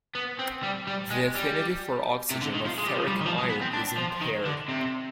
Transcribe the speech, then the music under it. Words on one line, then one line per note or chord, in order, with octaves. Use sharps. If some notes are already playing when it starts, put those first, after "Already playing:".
The affinity for oxygen of ferric iron is impaired.
B3
C4
G3
G3
G#3
G3
C3
D3
D#3
F3
G#3
G3
F3
G3
D#3
F3
G#3
B3
C4
D4
F3
D#3
D3
C3